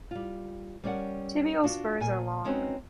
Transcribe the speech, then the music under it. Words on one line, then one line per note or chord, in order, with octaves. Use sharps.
Tibial spurs are long.
G3 F4
G3 C#4 A#4 D5 F#5
B3 D4 F4 F#4
A#2 G#5
G#3 C4 C#4 D#4 F#4 B4